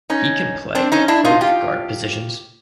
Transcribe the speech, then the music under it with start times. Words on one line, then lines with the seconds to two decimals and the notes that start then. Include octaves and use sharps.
He can play at both guard positions.
0.10 C#4 D#4
0.75 C4 D4
0.92 C#4 D#4
1.08 D4 E4
1.25 D#4 F4
1.41 F4 G4